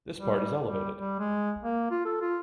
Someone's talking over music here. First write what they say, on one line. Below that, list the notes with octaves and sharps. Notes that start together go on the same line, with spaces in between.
This part is elevated.
G3
G3
G3
G#3
A#3
F4
A4
F4